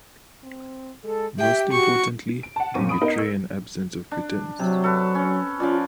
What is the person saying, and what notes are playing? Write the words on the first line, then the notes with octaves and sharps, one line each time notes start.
Most importantly, they betray an absence of pretense.
C4
G#3 A4
G4 E5 G5
F#4 C#6
D7
F#5 A5
F#2 A#2 C4 C#6 D#7
B5 D#6 D7
B3 D#4 A#4
E6
D4
C3 F#3
A4 B4
C#4
F3 C#4 F4 D5